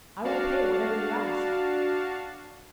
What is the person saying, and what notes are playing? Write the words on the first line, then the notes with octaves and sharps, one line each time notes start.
"I will pay whatever you ask."
D4 F#4 F5 A5